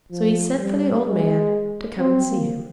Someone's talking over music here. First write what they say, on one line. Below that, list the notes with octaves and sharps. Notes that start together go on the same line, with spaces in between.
So he sent for the old man to come and see him.
F3
G3
G#3
C4
A#3